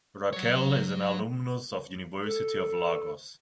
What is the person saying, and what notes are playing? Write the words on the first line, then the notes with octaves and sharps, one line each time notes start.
Raquel is an alumnus of University of Lagos.
F#3 C#5
A4